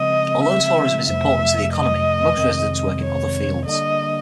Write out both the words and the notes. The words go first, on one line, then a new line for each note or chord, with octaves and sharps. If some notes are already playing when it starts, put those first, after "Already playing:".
Although tourism is important to the economy, most residents work in other fields.
Already playing: C#3 F3 G#3 C4 D#5
E5
F2 C3 F3 A3 E5
D#5
F2 C3 D#3 G#3 C4
C#5
D3 G3 A#3 D4 D#5